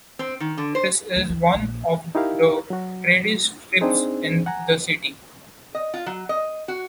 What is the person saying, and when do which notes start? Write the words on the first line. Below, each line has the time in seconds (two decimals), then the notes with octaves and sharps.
This is one of the trendiest strips in the city.
0.19 C4
0.40 D#3
0.57 D3
0.75 C5
1.16 D2
1.30 E3
1.55 A#1
2.15 D#4 E4 G4 A#4 F5
2.70 F#3 F#4
3.81 C4 D4 D#4 G#4 C5
4.46 F#5 G#5 A#5
5.75 D#5
5.94 F4
6.06 F#3
6.29 D#5
6.68 F#4